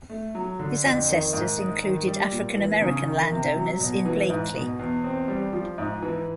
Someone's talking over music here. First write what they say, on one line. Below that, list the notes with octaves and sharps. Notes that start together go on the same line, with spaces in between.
His ancestors included African-American landowners in Blakely.
A3
F#3
D3
F2
D#3
G#2
G#3
D#3
G3
A#2
E3
C#3
D#3
C3
F#3
B2
E3
G#2
B2
E2
C4
G3
F3
G#2
E3